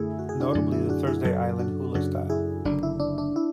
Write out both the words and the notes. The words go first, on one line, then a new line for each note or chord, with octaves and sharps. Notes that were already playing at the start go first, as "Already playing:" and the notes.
Notably the Thursday Island 'hula' style.
Already playing: F#2 D3 A3 E4 G#4
F#4
G#4
D4 F#4
F#2 D3 A3 D4
E4
D4 F#4
E4 G#4
F#2 C#3 F#3 F#4 A4
D4 F#4
F#2 C#3 F#3 D4 F#4
E4 G#4
F#1 F#2 D3 D4
E4
D4
D4
E4